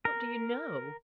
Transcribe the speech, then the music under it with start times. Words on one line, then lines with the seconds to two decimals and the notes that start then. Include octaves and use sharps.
What do you know?'
0.05 A#4